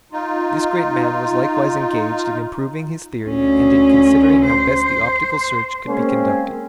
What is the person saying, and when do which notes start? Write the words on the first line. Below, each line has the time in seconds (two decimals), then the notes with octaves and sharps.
This great man was likewise engaged in improving his theory and in considering how best the optical search could be conducted.
0.12 D#4 F4
3.26 D2 C#4
4.46 C5
5.88 G#3 A#3 C4 C#4